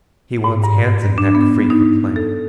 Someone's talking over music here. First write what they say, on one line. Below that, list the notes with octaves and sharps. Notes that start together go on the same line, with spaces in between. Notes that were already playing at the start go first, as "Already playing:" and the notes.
He wants hands and neck free for climbing.
G#2
G2
D4
B3
D#4
A4